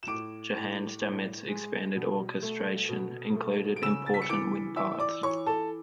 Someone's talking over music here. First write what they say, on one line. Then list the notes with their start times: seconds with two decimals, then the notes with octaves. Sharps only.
Johann Stamitz's expanded orchestration included important wind parts.
0.03 E7
0.08 A2 D6 D7
0.55 A2
1.01 A2
1.48 G#3
1.95 B2
2.42 A3
2.89 B2
3.36 A3
3.76 D7
3.83 C#3 E6 E7
4.06 A6
4.14 B6
4.22 C#7
4.29 E3 D6 D7
4.76 E3 E5 E6
4.99 D5 D6
5.23 E3 C#5 C#6
5.46 A4 A5